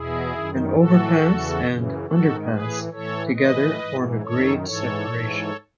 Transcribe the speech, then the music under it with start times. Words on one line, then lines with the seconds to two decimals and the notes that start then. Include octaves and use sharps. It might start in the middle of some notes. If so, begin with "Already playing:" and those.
An "overpass" and "underpass" together form a grade separation.
Already playing: E2 B2 E4 G#4
0.33 F#2 D#3
0.76 A2 E3 F#4 A4
1.19 E2 C#3 E3
1.62 F#2 C#3 E3
2.06 G#2 D#3 F#4 A4
2.49 A2 E3 G#4 B4
2.92 A2 E3 A4 C#5
3.36 A2 E3 B4 D#5
3.79 G#2 E3
4.22 F#2 D#3 A4 C#5
4.65 G#2 E3 A4 C#5
5.09 G#2 E3